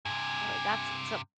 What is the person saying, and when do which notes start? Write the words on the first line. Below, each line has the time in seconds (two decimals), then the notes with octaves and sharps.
Really? That's so
0.05 G2 C3 G#5